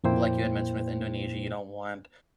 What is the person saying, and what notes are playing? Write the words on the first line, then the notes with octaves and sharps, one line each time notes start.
like you had mentioned with Indonesia, you don't want
F2 A#2 A#3 E4 C5 G5